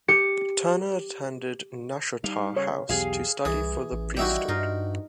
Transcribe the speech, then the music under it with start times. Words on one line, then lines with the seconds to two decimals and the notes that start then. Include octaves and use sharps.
Turner attended Nashotah House to study for the priesthood.
0.08 G4 C#7
2.24 G3 D#4 F5
2.57 C#3 C#5
2.89 B1 E2 G4 G#4 F5
3.45 C2 E3 G#4
3.92 A1
4.17 G3 D#4 E4 F#4 E5 G5
4.48 G2 D#4 F4 A#4